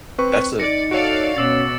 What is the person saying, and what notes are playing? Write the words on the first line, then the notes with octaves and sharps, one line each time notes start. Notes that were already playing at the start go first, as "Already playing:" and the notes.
That's a
C4 B4 C#6
D#4 D5 A#6 C#7
F#4 A4 C#5 D5 F5 D7
B2 C#4 D6 E6 A6